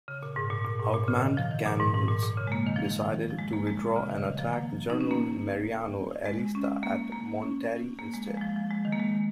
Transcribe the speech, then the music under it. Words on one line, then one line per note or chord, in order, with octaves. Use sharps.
Outmanned, Canales decided to withdraw and attack General Mariano Arista at Monterrey instead.
C#3
A#2
G#2
A#2
A#2
G#2
A#2
C#3
D#3
F3
D#3
A#2
G#2
G#2
A#2
A#2
C#3
G#3
A#3
D#3
F3
D#3
F3
G#3
A#3
G#3
A#2
C#3
D#3
C#3
D#3
F3
A#3
D#4
C#4
A#3
G#3
C#4
A#3
A#3
C#4
A#3
G#3
F3
G#3
F3
F3
G#3
D#3
A#3
G#3